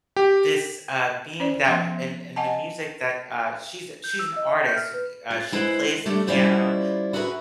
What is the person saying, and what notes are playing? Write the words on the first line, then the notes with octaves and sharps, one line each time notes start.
this, uh, being that and and the music that, uh She's, uh she's an artist, uh, she plays the piano,
G4
C#4 C5 D5
F3 B3 E5 C6
D#5 F#5 G#5 A5
G6
E6
D#5
E5
G6
F6
B4
F4
G#3 E4 B4 C5
D3 G3 A3
G3 C#4 E4 F4 C5 D5
E4 F#4 G#4 A#4 B4 E5